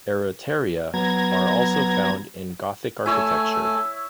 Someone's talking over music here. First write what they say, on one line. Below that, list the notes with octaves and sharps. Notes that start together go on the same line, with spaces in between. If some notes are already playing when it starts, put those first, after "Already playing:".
Acroteria are also found in Gothic architecture.
F#3 B3 A#5 G#6
A3 E4 C#5 G#5 E6